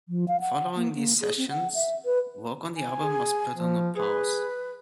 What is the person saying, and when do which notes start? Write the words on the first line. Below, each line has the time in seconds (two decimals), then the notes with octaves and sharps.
Following these sessions, work on the album was put on a pause.
0.09 F3
0.28 F5
0.41 F#5
0.76 A#3
0.96 A#3
1.21 G#4
1.38 C4
1.50 F#5
1.74 E5
2.05 B4
2.76 G#5
3.03 G#4
3.56 F3
3.96 G#4 B4